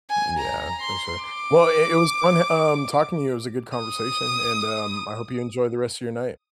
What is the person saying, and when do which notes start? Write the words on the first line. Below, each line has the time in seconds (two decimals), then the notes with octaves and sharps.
Yeah, for sure. Well, it it was fun e um, talking to you. It was a good conversation, and, um, I hope you enjoy the rest of your night.
0.10 G#5
0.39 A#5
0.81 C6
1.23 D6
3.78 D#6